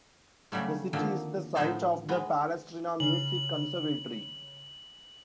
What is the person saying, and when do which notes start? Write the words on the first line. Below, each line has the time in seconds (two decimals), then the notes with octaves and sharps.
The city is the site of the Palestrina music conservatory.
0.52 C#3 F#3 G3 A3
0.93 D3 D#3 F3 A#3 C4
1.55 A2 F3 B3 D#4 C5 A5
2.09 G#3 B3
3.00 C#3 F#7